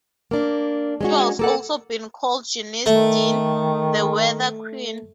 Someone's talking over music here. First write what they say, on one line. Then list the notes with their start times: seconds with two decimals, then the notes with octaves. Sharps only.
She has also been called "Janice Dean, the Weather Queen".
0.31 A#3 D4
1.01 G#3 C#4 F#4
1.39 A#3 A4 F#5
2.86 D#3 A3